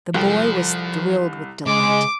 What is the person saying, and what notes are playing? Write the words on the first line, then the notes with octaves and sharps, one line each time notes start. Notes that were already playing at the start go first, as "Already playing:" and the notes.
The boy was thrilled with delight.
C2 F3 A4 G5
C#3 G#3 D6